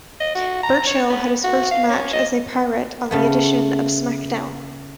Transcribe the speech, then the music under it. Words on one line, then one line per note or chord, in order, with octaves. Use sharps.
Burchill had his first match as a pirate on the edition of SmackDown!
D#5
F#4
A#5
C#5
B3
F#4
F5
C#4
D#5
C#3 A3 B3